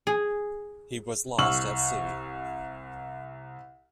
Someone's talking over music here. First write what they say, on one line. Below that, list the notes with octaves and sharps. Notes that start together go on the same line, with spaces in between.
He was lost at sea.
G#4
C2 C#6 E6 F6 F#7